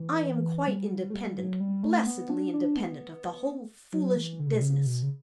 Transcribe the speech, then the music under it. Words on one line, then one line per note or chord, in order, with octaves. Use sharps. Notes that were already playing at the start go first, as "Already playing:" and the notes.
I am quite independent; blessedly independent of the whole foolish business.
Already playing: E3
G3
A3
G3
F#3
G3
A3
B3
D4
D4
B3
F#3
E3
D3
C#3
B2
C#3
B2
C#3